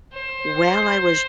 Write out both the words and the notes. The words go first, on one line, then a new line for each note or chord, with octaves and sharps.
while I was
C5